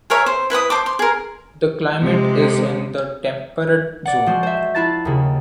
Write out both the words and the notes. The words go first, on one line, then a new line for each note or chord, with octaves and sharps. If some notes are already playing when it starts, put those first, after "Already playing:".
The climate is in the temperate zone.
G#4 A#4 C#5 E5
C5
E4 B4 B5 D#6
C5 A5 D6
C6
G#4 A#4
C3 G#3
D5 F#5
F3 G#3 F#4 C5
C5 E5
E4 F4 A5 F#6 A6
D#2 C#3